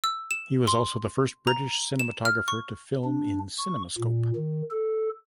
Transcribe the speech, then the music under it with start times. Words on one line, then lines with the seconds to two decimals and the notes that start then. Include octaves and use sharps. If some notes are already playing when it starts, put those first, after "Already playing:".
He was also the first British cinematographer to film in CinemaScope.
0.04 E6
0.31 E7
0.67 C6
1.47 A#5
1.99 E7
2.25 F6
2.48 C#6
3.04 D4
3.58 C#6
3.98 A#2
4.36 D#3
4.71 A4